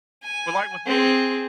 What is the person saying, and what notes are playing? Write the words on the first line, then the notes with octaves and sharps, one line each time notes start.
Well, like, with me,
G#5
C4 G#4